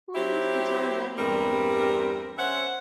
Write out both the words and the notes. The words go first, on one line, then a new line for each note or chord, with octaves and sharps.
Who Needs Guitars Anyway?
F#3 C4 E4 G4
E2 G2 G3 C4 A#4
C#4 C5 E5 F#5